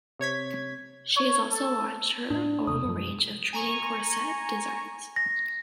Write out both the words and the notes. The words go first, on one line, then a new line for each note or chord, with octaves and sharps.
She has also launched her own range of Training Corset designs.
C3 C#5 G#6 B6
C#5
A4
A2 D4
E1 C3 D#6
F#2 F3
G#5 A#5 C#6
A#6